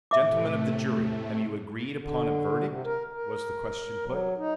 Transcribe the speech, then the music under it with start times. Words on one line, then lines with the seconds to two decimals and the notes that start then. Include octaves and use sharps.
"Gentlemen of the jury, have you agreed upon a verdict?" was the question put.
0.11 A2 C3 A3 E5 D6
1.98 D3
2.66 C3
2.85 A#4
3.13 A#4
4.05 F#3
4.38 D#4